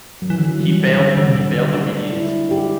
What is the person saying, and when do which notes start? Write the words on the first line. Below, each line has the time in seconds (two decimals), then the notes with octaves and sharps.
i he failed he failed obedience school,
0.22 F#3
0.30 E3
0.38 D3
0.47 E3
0.60 G3
0.98 D3
1.17 D3
1.27 C3
1.36 D3
1.56 D3
1.74 D3 D4
2.13 E4
2.51 G4